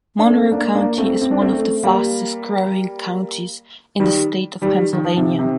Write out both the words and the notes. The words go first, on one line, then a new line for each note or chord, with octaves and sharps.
Monroe County is one of the fastest-growing counties in the state of Pennsylvania.
D4
A3 C4
A#3 D4
A#3 D4
A3 C4
C4
D4
A3 C4
A3 C4
G3 A#3
D#3 G3
D#3 G3
D#3
F3
C3 D#3
C3 D#3